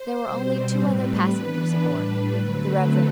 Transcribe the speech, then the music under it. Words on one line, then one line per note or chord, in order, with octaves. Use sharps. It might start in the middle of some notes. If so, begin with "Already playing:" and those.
There were only two other passengers aboard, the Rev.
Already playing: C5
B2 G3 C4
A2 G3 C4 B4
E3 B3 D4
A2 G3 D4 B4
D3 F#3 A3 C4